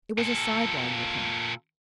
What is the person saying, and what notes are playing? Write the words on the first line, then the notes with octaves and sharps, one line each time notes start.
It was a sideline with Him.
A#2 A4